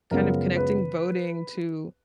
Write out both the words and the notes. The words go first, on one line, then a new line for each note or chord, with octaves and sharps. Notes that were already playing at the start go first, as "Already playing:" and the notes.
kind of connecting voting to
F#2 C#3 F3 G#3 B3 A#4
B4